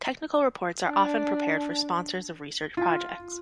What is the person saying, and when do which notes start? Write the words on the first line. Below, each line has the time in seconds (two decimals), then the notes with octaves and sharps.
Technical reports are often prepared for sponsors of research projects.
0.87 D4
2.77 F4